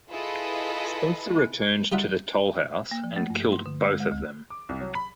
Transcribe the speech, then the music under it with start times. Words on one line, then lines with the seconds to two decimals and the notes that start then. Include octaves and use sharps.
Spencer returned to the toll house and killed both of them.
0.10 E4 F4 G#4 A4 B4 D#5
1.92 G3 D#4 F4 E5 F#5
2.91 A#3
3.04 F3
3.16 A3
3.30 G2
3.52 C6
3.66 D3
3.86 G#3
4.00 G#3
4.12 D2
4.50 D6
4.69 C2
4.81 F#3
4.95 B5